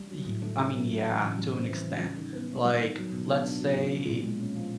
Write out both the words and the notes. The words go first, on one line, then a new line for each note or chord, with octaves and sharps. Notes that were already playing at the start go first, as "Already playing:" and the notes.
y I mean, yeah, to an extent, like, let's say
Already playing: G3
F#3
A2
A3
C#4
F#3
A2
E3
C#3
G3
C4
E3
C#3
G3
D#3
B3
D#3
G3
D#3
F#3
B2
B3
D4
F#3
B2
F3
A#2
G#3
C#4
F3